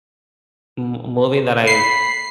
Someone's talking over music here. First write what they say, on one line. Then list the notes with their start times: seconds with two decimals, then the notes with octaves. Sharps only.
m movie that I've
1.67 B5 C7